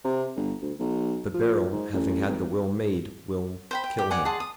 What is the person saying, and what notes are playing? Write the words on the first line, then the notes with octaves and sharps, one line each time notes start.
But Beryl, having had the will made, will--kill him.
C3
G1
D2
B1
F3
G#2
A1
G#1
C5 G5 B5
G5
G4
D5 F#5 G#5
G#4 F#5 A5 C6
D#6